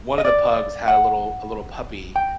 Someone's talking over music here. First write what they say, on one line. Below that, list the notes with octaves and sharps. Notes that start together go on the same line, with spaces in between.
one of the pugs had a little a little puppy,
D#5
D5
F#5
G5